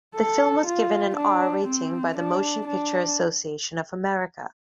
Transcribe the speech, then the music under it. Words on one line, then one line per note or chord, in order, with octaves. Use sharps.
The film was given an "R" rating by the Motion Picture Association of America.
A4
F4
D4
C4
D4
D4